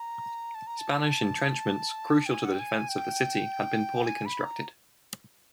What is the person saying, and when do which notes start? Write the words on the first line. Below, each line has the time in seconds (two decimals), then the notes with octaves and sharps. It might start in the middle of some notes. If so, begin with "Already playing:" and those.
Spanish entrenchments, crucial to the defense of the city, had been poorly constructed.
Already playing: A#5
0.55 A5
0.67 A#5
0.79 A5
2.26 G5
2.31 G#5
2.44 F#5
2.52 G5
2.60 G#5
2.89 G5
4.06 G#5
4.26 B5
4.45 A#5